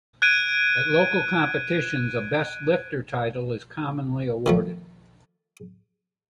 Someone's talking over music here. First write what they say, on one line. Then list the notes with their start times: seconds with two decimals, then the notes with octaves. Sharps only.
At local competitions, a "Best Lifter" title is commonly awarded.
0.22 F#6 G#6 D7 D#7
4.46 D#3 F3 A3